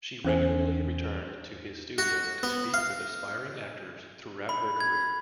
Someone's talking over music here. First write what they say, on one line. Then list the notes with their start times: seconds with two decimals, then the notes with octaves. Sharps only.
She regularly returned to his studio to speak with aspiring actors throughout her career.
0.25 E2 C#4 C5 G#5
1.98 F#4
2.43 B3
2.74 F5
4.49 B5
4.80 G#6